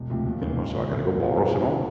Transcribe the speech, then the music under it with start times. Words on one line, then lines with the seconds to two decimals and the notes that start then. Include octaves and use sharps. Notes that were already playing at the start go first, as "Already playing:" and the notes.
you know? So, I got to go borrow some more
Already playing: E1
0.10 D2 C3 F3
0.26 D#2
0.41 C#3 E3
0.57 C#2
0.73 C#3 F3
0.88 B1
1.04 A2 F3
1.20 E2 F4 G4
1.36 B2 G3
1.51 F1 E4 F#4
1.69 C#3